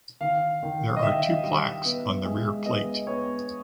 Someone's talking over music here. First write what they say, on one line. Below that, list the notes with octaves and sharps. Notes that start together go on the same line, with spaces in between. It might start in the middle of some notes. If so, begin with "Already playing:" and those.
There are two plaques on the rear plate.
D#3 F5
D#3
D#5
D#3 E5
G3
B3
G#3
B3 D#5
B3 C#5